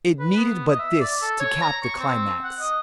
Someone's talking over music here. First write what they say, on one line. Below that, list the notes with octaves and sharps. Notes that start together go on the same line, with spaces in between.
It needed but this to cap the climax.
B4
B3
D#5
E5
D5
A4
C#5
A#5
C#6
C4
F#5
D#5